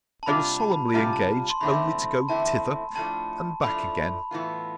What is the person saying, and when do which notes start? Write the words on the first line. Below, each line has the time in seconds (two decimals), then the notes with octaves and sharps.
I will solemnly engage only to go thither, and back again.
0.23 A5
0.26 C3 G3 D4 F4 B5
0.60 A5
0.71 B5
0.94 C3 G3 D4 F4 A5
1.13 A5
1.50 C6
1.61 E2 D3 A3 C4 E4 B5
2.29 E2 D3 A3 C4 E4 A5
2.96 A2 F3 A3 D4 A5
3.63 A2 F3 A3 D4 B5
4.31 A2 E3 B3 F4